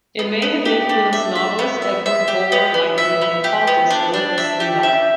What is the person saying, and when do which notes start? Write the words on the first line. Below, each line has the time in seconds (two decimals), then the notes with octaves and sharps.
It may have influenced novelist Edward Bulwer-Lytton and occultist Eliphas Levi.
0.19 B3
0.42 B3
0.65 G4
0.89 D4
1.13 E5
1.35 E5
1.59 B3
1.82 E5
2.06 E5
2.28 G4
2.52 B3
2.74 B3
2.98 E5
3.22 B3
3.44 G4
3.67 B3
3.90 D4
4.14 D4
4.38 E5
4.60 G4
4.83 E5